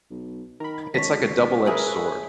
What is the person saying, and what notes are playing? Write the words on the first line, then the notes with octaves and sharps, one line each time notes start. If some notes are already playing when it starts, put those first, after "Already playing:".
it's like a double-edged sword,
B1
D#3 A#4 B5
C#2 D#3 C#5 A5 B6
G#4 A#4 B4 E5 G#5 F#6